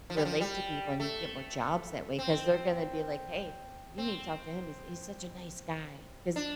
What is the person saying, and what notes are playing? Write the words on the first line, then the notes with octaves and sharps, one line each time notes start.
relate to people and you get more jobs that way 'cause they're gonna be like, "Hey, you need to talk to him. He's he's such a nice guy 'cause
F3
G3
F3
G3
A3
C4
C4
D4